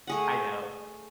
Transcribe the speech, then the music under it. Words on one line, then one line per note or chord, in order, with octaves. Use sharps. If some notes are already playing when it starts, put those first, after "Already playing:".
I know.
A3 G#4 F#5